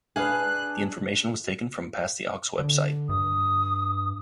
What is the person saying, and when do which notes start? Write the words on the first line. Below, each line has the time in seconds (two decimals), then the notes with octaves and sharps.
The information was taken from "Pass the Aux" website.
0.16 D4 G#4 B4 F5 G#5 F#6
2.59 D3
3.09 G2 D#6